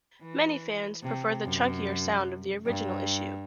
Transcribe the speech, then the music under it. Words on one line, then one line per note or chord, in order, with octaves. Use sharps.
Many fans prefer the chunkier sound of the original issue.
E3
C3
F#2
G2